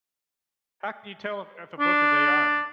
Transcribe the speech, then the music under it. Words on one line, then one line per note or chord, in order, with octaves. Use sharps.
How can you tell if, if a book is AI?
D4